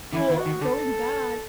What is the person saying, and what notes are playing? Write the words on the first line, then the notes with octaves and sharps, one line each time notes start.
Well, going back
D3 E3 E4
D#3
F#4
D#3
D3 A4